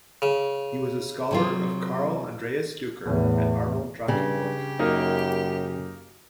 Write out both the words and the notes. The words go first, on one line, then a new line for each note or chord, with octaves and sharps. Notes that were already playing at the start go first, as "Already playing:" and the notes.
He was a scholar of Karl Andreas Duker and Arnold Drakenborch.
C#3
C3 F#3 F4
E2 A2
G2 C#3 G4
F#2 A#3 D#4